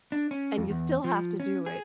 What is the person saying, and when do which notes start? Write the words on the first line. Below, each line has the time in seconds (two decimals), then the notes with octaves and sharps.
and you still have to do it,
0.12 D4
0.31 C#4
0.58 F2
0.70 E2
1.04 F3
1.40 C#4
1.66 G#4